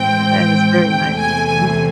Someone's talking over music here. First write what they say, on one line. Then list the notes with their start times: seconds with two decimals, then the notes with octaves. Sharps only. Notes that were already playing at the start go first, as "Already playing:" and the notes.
That is very nice mhm.
Already playing: A2 E3 G#3 C4 G5
0.88 E2 C3 E3 A3 G5
1.18 G#5
1.47 G#5